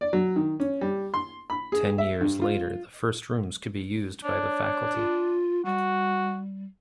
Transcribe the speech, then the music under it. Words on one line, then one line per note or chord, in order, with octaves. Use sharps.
Ten years later, the first rooms could be used by the faculty.
D5
F#3
D#3
C#4
G3
C6
B5
G#4
E5
G2
F4
D4 C#5
F4
G3 F#4